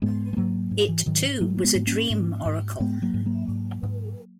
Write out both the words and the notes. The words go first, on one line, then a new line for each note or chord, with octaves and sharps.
It too was a dream oracle.
G#2 G#3 B3
G#3
G#2 F#3 A#3
G#2
E3
G#2 D#3 F#3
G#2 F#3 A#3
G#3
A#3
G#3 B3
G#2
A#3 C#4
G#2
G#2
G#2 G#3 B3
F#3 A#3
G#2
F#3 A#3
G#2
G#2